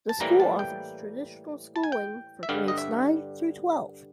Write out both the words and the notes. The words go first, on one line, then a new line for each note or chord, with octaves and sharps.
The school offers traditional schooling for grades nine through twelve.
A5
A2 E3 G3 A#3 A#5
A5
G5
A5
G#5
G5
E5
G2 D3 G3 F5
D#5
E5